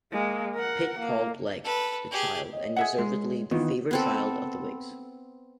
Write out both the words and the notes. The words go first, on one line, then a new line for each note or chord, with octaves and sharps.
Pitt called Legge, the child, and deservedly the favourite child, of the Whigs.
G#3 A#3
A#4 F#5
A#3
A4 B4
G4 G#4
C#5 D#5
G#4 E5 F#5
G#3
D#3 E3 B3 D#4 F4
B3 C4 A4